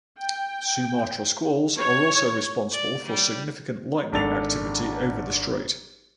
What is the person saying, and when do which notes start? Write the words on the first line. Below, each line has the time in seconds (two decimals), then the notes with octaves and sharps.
Sumatra squalls are also responsible for significant lightning activity over the strait.
0.17 G5
1.77 C#5
2.71 D5
3.05 G3
4.12 G#1 D4 A4 A6 F7